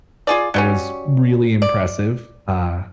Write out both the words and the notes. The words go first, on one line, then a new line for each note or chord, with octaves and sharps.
oh, was really impressive. Uh,
F4 G#4 D5
F#3 G3 C#4
D5